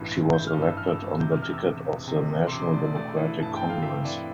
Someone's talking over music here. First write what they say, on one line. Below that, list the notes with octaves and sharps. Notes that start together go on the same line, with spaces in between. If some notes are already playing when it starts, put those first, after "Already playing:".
She was elected on the ticket of the National Democratic Congress.
Already playing: A1 G2 E3
A1
E3 G6
F6
G2
E6
A1 F6
E6
A1
E6
C3 G6
F6
E2 F6
E6
E1
E1
C3
E2
C6
E1 D6
C6
E1 D5
D5
A3 D5
E3
G2 A5
C4 G5
F5
A3 E5
E3 D5